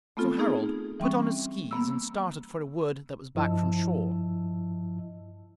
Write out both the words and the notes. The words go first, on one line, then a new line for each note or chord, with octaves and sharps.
So Harald put on his skees and started for a wood that was back from shore.
A3 B3 C4 F4 A4
B3 D#4 G#4
E3 G3 C4 C#4
A#3 B3 E6
G2 F3 E4 D#5 A5 E6